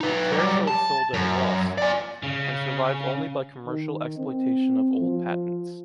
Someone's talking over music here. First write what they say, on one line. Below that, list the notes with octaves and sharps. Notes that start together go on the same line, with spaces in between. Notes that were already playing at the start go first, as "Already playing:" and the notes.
Fairchild sold at a lost, and survived only by commercial exploitation of old patents.
D#4 B4
F#3 G3
A5
F#2
D5 G#5
C#3
D#3
C4
F3